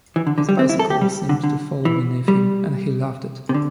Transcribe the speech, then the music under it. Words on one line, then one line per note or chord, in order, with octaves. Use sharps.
His bicycle seemed to fall beneath him, and he loved it.
E3
D3
D3
G3
C4
E4
A4
G4
G3
D3
D3
E3
G3
C3
D3